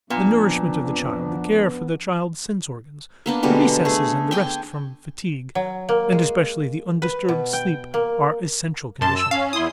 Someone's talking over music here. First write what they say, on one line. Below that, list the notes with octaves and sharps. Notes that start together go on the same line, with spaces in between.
The nourishment of the child, the care for the child's sense organs, the recesses and the rest from fatigue, and especially the undisturbed sleep are essential conditions.
F2 A#2 B3 D4
A#3 B3 D4
B2 D3 G3 G#3
A3 G#4
D4 G5 G#5
F#3
A#3
G#3
B4
B2
G5
A#3
F#2 A5 C6
E6
C#4 F5
E2 E4 C6 D#6